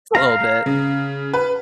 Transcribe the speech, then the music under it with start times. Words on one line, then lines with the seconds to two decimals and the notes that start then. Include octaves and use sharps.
A little bit.
0.15 F5 A#5
0.66 C#3
1.34 B4